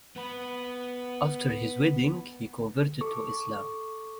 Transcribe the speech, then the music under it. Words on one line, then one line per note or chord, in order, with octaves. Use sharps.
After his wedding, he converted to Islam.
B3 B5
A4 C#6 D6